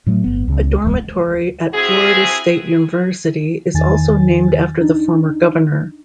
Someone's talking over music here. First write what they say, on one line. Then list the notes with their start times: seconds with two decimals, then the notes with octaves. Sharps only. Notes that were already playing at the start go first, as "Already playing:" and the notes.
A dormitory at Florida State University is also named after the former governor.
0.06 A2 F#3 G#3 A3
0.24 G1 B3
0.48 C#2 C#3
0.84 D1 E2 G3 G#3
1.73 C4 E4 F#4 G#4
3.74 E2 D#3 G#5 A6
4.81 D4 D#4